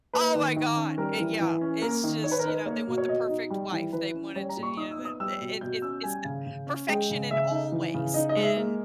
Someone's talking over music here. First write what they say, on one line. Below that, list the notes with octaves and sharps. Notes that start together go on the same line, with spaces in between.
Oh my God, eh yeah. It's just you know, they want the perfect wife. They wanted to, you know, the i i it's it's the perfection in all ways. And
A#3 B4
D#3
D#3
C#4
G3 A#4
E3
E3
C#4
A#3 A#4
D#3
D#3 C#5
B4
A#4
D#4 B4
A#3 C#5
B2
C#5
B2 D#5
D#4
G3
E3
E3 B4
C#4
G3 C#5
A#5
A#2
C#6
D#4 D#6
E6
B3
D#6
G3 E6
B2
B2 G6
C#4 E6
G3 G#5
C#3
C#3
C#4
G#3 G5
C#3
C#3 E5
D#4
E3
C#3
D#4 D#5
D#5
G#3
E5
A#3